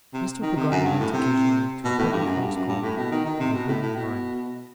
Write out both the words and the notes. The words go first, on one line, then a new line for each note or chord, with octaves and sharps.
Mr. Peggotty went occasionally to a public-house called The Willing Mind.
C3
D#3
C3
F#2
G2
A2
C3
B2
A2
G2
F#2
G2
F#2
G2
A2
B2
D#3
D#3
C3
B2
A2
A2
B2